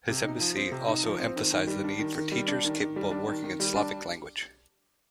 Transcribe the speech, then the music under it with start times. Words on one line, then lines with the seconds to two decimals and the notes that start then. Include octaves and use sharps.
His embassy also emphasized the need for "teachers" capable of working in Slavic language.
0.08 C3
0.24 D#4
0.40 F3
0.56 C4
0.72 C3
0.88 D#4
1.04 F3
1.19 C4
1.36 D#3
1.52 D#3
1.67 G3
1.84 D4
1.99 D#3
2.15 D#3
2.32 G3
2.48 D4
2.64 D#3
2.80 D#3
2.96 G3
3.11 D4
3.28 D#3
3.44 D#3
3.60 G3
3.76 D4